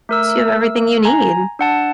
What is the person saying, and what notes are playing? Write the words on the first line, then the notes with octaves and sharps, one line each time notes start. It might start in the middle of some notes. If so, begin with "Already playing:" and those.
So you have everything you need.
A3 A#4 E6
G#5 A#5
D4 F#5 A5